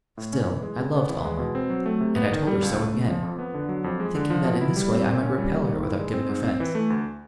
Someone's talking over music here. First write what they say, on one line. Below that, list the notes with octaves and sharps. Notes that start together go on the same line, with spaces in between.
Still, I loved Almah, and I told her so again, thinking that in this way I might repel her without giving offence.
A2
C#4
E3
G#3
C#3
B3
E3
G#3
B2
C4
F#3
A3
C3
B3
D#3
G3
C#2
A3
C#3
F3
F2
B3
D3
F#3
F2
G#3
D3
F3
B2
E4
G3
C4
A#2
C#4
G3
A#3
D#3
E4
G#3
C4
G#2
C4
E3
A3
D2